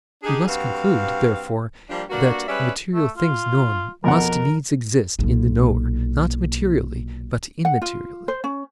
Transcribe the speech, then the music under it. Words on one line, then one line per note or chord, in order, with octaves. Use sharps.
We must conclude, therefore, that material things known must needs exist in the knower, not materially, but immaterially.
D4 D#4 G4 G#4
G2 C4 F#4 F5
F3 G3 A#3 D4
G2 A#3 D4 F#4
G3 G#3 C#4 B4 D5 E5
A3
F4
F2 B2 A#4 F#5
B1 A#2
F#5
F4
C5
C#4